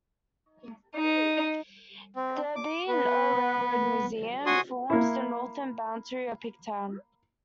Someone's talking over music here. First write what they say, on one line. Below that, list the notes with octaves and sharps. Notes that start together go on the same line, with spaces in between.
The B and O Railroad Museum forms the northern boundary of Pigtown.
D#4
C4
D6
B3 B4
F#4 G#5 C6 D#6
A#3 E4